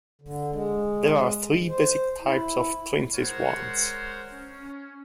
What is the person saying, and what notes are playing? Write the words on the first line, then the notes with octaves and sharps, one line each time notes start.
There are three basic types of prince's wands.
D3
G#3
C5
E4
G#3 A#4 C5 C#5 F#5
C#4